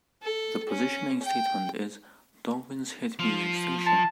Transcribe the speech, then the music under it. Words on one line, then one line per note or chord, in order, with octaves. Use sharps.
The positioning statement is "Darwin's Hit Music Station".
A4
C#4
G5
F3
A5